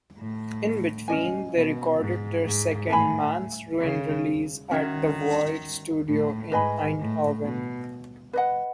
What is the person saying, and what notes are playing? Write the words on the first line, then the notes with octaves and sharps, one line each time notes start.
In between they recorded their second Man's Ruin-release at 'The Void'-studio in Eindhoven.
A2
C#4 G#4 D#5 G#5
B2
G#2
G#2
A2 A4 E5 G#5 B5
C#3
D#3 C#4 F#4 C#5 E5
A2
G#2 B4 D#5 G#5 B5
A2
B2
B4 D#5 F#5